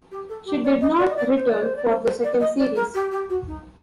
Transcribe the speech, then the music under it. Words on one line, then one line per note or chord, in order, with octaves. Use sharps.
She did not return for the second series.
G4
A4
G4
D5
D#5
D5
D#5
D5
C5
D5
C5
D5
C5
C5
D5
D#5
D5
A#4
G4
G4
F#4
D#4